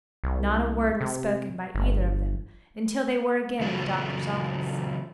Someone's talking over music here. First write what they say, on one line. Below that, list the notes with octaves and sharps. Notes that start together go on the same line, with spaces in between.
Not a word was spoken by either of them until they were again in the doctor's office.
C2
C3
G1
C#3 E3 F#3 C#4 F4 A4